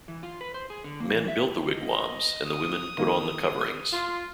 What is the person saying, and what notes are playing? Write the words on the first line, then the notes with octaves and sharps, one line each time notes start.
Men built the wigwams and the women put on the coverings.
E3
F4
B4
C5
G#4
D3
A#3
E3
E5
D#5
D#6
D#3 A#3
F4